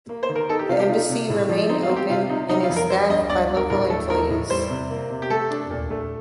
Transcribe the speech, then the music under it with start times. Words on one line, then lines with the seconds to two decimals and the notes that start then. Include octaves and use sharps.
The embassy remained open and is staffed by local employees.
0.09 A#3
0.23 C5
0.29 D#3
0.36 A#4
0.49 D#4 A4
0.59 G4
0.69 C3 F4
0.80 G4
0.89 D#4 F4
1.09 C3
1.30 A2
1.49 F3
1.69 C4 D#4
1.83 F4
1.89 C4
1.96 G4
2.09 C3 F4
2.29 C3 D#4
2.49 G3 D#4
2.63 F4
2.70 F2
2.76 A#4
2.90 G3 C5
3.10 G2 D#5
3.30 G2 D5
3.50 G2
3.56 A#4
3.70 A2 A#4
3.90 A3 A4
4.10 D#4 A#4
4.30 A2
4.50 G3 C5
4.70 C3
4.90 A#3
5.10 C3
5.22 G4
5.30 A3 A4
5.50 D4
5.70 A#2
5.90 A3